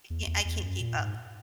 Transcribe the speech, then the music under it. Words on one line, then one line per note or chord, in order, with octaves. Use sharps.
ca I can't keep up.
E2
E2
E2
F#2
A#2
G#2